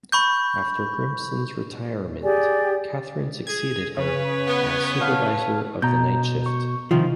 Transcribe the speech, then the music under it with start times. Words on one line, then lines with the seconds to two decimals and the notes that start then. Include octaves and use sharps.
After Grissom's retirement, Catherine succeeded him as Supervisor of the Night Shift.
0.12 B5 C#6 G6
2.23 G4 G#4 D5 G#5
3.47 G#4 G#6
3.97 C#3 B4 C#5
4.48 B3
5.00 A4 F5
5.82 B2 A#5 G6
6.46 C#6
6.91 C3 D#3 F3 F4